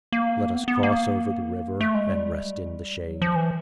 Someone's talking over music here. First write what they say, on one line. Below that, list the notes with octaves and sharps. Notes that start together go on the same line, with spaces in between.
"Let us cross over the river and rest in the shade."
A#3
B3
B3
A#3
A3
G#3
G3
F#3
F3
E3